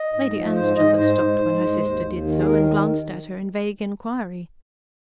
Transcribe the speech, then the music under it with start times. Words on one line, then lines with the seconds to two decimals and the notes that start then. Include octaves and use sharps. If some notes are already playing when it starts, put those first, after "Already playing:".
Lady Anstruthers stopped when her sister did so, and glanced at her in vague inquiry.
Already playing: D#5
0.13 G#2
0.34 F3
0.55 G#2 C5
0.76 G#2 D#5
0.98 G#2 C5
1.19 G#2
1.40 G#2
1.61 G#3
1.82 D#2
2.03 D#2
2.25 D#3
2.39 G#4
2.45 D#3 A#4